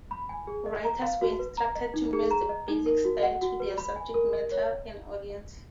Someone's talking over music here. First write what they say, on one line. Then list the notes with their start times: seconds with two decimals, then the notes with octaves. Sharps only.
Writers were instructed to match the basic style to their subject matter and audience.
0.11 B5
0.29 G#5
0.47 G#4
0.66 D#5
0.85 A#5
1.02 F5
1.21 F#4
1.39 B4
1.57 A#5
1.75 D#5
1.94 D#4
2.13 G#4
2.31 A#5
2.49 D#5
2.68 D#4
2.86 A#4
3.05 F#4
3.23 F#5
3.41 F#4
3.60 B4
3.78 B5
3.96 G#5
4.14 A#4
4.33 D#5
4.52 C#5